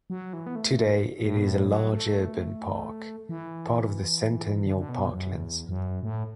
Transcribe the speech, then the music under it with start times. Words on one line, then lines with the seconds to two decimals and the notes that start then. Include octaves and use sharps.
Today it is a large urban park, part of the Centennial Parklands.
0.10 F#3
0.33 E3
0.46 B3
0.56 A3
1.24 A2
1.37 B2
1.47 A2
1.69 F#3
1.93 A3
3.29 E3
4.66 D3
4.77 D3
4.89 B2
5.12 F#2
5.34 E2
5.69 F#2
6.03 A2